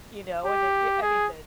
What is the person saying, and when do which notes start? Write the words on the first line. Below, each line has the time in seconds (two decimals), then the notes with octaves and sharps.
you know? And, i eh, I mean, the
0.45 G4
1.02 G#4